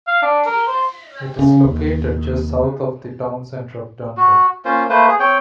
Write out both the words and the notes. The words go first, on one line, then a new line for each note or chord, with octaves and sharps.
It is located just south of the town centre of Dundrum.
F5
D4
A#4
C5
C#3
D#2
F#4
A#3 C#4 F4 C5
A3 A#3 B4 C5
G#4
C4 C#5 G5